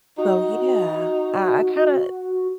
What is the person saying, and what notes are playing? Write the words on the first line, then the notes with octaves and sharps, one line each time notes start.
So, yeah, I I kinda
D#4 F#4